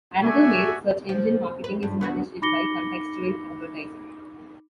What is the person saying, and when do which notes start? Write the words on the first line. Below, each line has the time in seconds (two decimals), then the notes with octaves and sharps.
Another way search engine marketing is managed is by contextual advertising.
0.24 F#4 A4 D5 E5 G#5 C#6
1.09 F3
1.64 B4
1.83 G2
2.01 D2 B3 F#4
2.42 D#4 B5 D6 A#6 C#7 G7